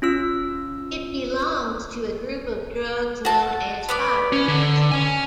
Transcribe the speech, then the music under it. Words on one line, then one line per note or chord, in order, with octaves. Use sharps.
It belongs to a group of drugs known as fibrates.
C#4 F4 E6
F#4 A5
B3 B4 D5
C#4
D3
C#4 G#5